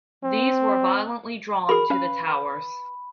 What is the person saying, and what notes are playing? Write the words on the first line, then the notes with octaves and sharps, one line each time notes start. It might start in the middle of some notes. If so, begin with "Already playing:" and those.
These were violently drawn to the towers.
C4
F#4 G#4 A#4 B5
C#4 B4 F5